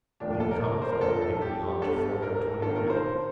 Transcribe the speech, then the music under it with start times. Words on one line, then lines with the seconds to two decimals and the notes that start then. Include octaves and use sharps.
Will you come if I can get the aunt to fork out twenty quid?
0.20 F1 D#2 D3 F3 D4
0.31 D4
0.40 A4
0.51 A#4
0.82 C5
0.92 A#4
1.01 A#1 A#2 F3 A4
1.22 A4
1.42 G4
1.81 G1 G2 D3 A4
2.22 A#4
2.62 G1 G2 D#3 A4
2.76 A#4
2.90 C5